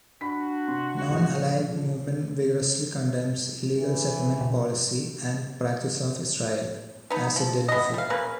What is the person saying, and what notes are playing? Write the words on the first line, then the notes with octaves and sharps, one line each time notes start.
Nonaligned Movement vigorously condemns illegal settlement policy and practice of Israel, as it did before.
D4 F#4 B5 B6
C3 C6
A#1 F3
E3
B2
B3 D#4
F3
B3 D#5
G3 F5
C#3 A#3 B4